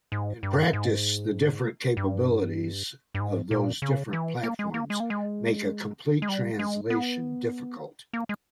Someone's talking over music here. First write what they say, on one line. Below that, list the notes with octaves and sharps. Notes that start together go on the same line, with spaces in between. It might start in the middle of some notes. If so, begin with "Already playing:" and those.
In practice, the different capabilities of those different platforms make a complete translation difficult.
G#2
G2
G#2
G2
G2
G#2
A#2
C#3
E3
A#3
G#3
A#3
G#3
A#3
G#3
G#3
G3
G#3
B3
A#3
G#3